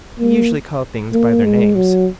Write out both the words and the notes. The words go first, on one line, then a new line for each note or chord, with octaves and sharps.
"I usually call things by their names."
A#3
A#3
G#3
F#3